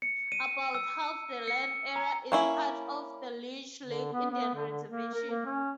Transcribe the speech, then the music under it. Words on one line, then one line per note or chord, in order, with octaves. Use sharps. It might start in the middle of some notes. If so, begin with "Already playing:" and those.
About half the land area is part of the Leech Lake Indian Reservation.
C#7
D#7
E6
C#7
A#5
A#3 C#4 E4
D3
B3
B3
D3
D3
A#3
A#4
A#3
C#4